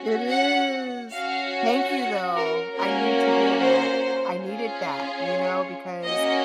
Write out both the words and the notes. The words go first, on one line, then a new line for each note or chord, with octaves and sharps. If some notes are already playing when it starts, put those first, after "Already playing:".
It is. Thank you though. I need to hear that. I needed that, you know, because
Already playing: C#4 F#4
F#5
C#4 F#4 F5
F#5
A#4
A#3 C#4 F#4 A#4
C5
C#4 F4 G#4
C#5
A#3 C#4 F#4 D#5